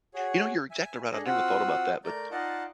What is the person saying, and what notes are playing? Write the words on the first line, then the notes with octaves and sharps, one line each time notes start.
You know, you're exactly right, I've never thought about that, but
F#4 G#4 C#5
E5 G#5
D4 G#4 A4 D#5
C4 F4 F#4 F#5 D#6 E6
A3 A#4 D5 G6
D#4 F4 D5 D#5 F#5 A5